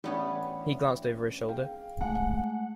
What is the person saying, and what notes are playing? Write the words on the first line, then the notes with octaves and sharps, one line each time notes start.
He glanced over his shoulder.
A1 G3 B3 D4 C#5
G#4 F5 G5
G#3 A3 F#5